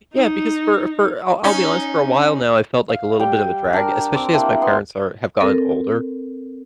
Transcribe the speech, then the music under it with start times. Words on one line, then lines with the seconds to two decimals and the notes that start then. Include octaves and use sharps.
Yeah, because for for, I'll I'll be honest, for a while now, I felt like a little bit of a drag, especially as my parents are have gotten older.
0.14 D#4
1.44 C#4 D#4
2.89 F5
3.20 G3 G5
3.73 D4 A#4
4.14 C4 D6
4.33 A#3 D4 E4 G5
4.62 B3 C6
5.40 C4 A4 A#4